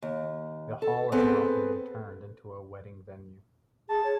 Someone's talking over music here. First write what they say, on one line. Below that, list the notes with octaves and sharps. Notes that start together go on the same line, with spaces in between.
The hall is now being turned into a wedding venue.
D#2
A4
B3 C4 G#4 A4 B4
G#4 A5
C#5